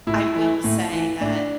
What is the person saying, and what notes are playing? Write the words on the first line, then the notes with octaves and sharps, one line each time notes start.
I I will say that
A2 E4
E3
A2
E3
A2 D4